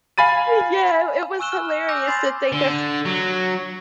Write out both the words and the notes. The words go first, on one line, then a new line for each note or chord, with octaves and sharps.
Uh, yeah, i it was hilarious to think of
F5 G#5 B5 A6 D#7
G#5 C#6 E6 F#6 E7 G7
F6
E7
G#5 D6 E6 G6 A#6 F7
G#5 B5 C6 A6 C7 F7
D3
F#3